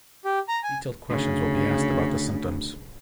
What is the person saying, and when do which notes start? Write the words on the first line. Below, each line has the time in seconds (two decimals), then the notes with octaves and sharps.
Detailed questions will be asked about the symptoms.
0.25 G4
0.48 A#5
0.63 G#5
1.10 D2 C#3